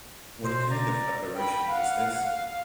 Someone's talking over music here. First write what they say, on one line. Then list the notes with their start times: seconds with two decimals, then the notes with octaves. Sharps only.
What kind of apparition is this?
0.44 B2 C5
0.70 D5 A#5
1.36 G5 B5
1.69 F5 F#5
2.26 F5